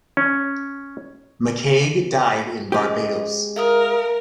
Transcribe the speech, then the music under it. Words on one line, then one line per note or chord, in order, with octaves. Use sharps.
McCaig died in Barbados.
C#4
G#3 C#4 G4 C5 D#5
A#4 E5 F5 D#6